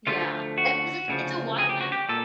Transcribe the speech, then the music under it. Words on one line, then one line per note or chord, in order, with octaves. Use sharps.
Yeah. Eh, because it it's a wild animal.
D2 D3 F3 A3 F4
F#4
D2 C#3 F3
G#4
G4
F#4
G4
A#2 A4